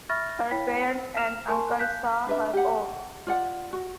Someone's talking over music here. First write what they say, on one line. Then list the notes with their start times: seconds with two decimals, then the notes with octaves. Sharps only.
Her parents and uncle saw her off.
0.09 E5 B5 C#6 F6 A6 A#6
0.51 E4 C#5 G5 B5 B6
0.91 C5
1.17 F6 E7 F7
1.48 A#4 G#5 A5 C6 C#6
1.79 F5 F#6 G6 B6
2.27 D4 B4 E5
2.53 G4 F#5
3.27 F4 D5 F#5
3.73 F#4